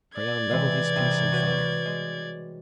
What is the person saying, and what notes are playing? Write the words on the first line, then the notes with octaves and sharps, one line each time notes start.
Crayon leveled his piece and fired.
D5 G#6
C3 E3 G#3
C2 C3
F#4 B4 C#5
G#3